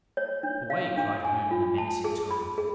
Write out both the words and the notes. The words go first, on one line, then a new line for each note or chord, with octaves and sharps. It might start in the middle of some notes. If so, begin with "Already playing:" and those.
"Away!" cried Herne in a menacing tone.
C#5
D4
F5
D4
G#5
F4
A5
G#4
B5
G#4